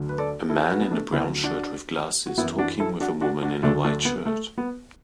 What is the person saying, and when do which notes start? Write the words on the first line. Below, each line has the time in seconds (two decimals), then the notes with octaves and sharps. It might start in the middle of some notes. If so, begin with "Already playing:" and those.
A man in a brown shirt with glasses talking with a woman in a white shirt.
Already playing: D2 D3 F#3
0.09 B4
0.18 A4 D5
0.49 E4 A4
0.71 F#4 B4
0.81 B3
0.91 A3 D4
1.12 D2 D3 F#3 B3 E4
1.43 D4 F#4
2.26 F#4
2.37 F#2 B3 E4
2.41 E3
2.59 D4 F#4
2.79 E4 A4
3.00 D4 F#4
3.21 D4 F#4
3.42 D4 F#4
3.63 D2 D3 F#3 A3 D4
3.84 A3 D4
4.05 B3
4.26 A3
4.58 B3